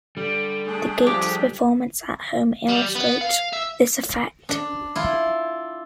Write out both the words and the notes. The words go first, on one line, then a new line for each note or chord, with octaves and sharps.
The Gators' performance at home illustrates this effect.
D3 G3
A3 D4 G#4
F3 G4
G3
B3
F5
E5
D4
E4 F4